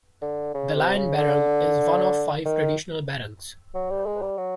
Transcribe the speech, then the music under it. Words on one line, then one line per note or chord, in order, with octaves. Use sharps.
The lion barong is one of five traditional Barongs.
D3
C#3
C3
C#3
D3
D#3
F#3
G3
G#3
G3
F#3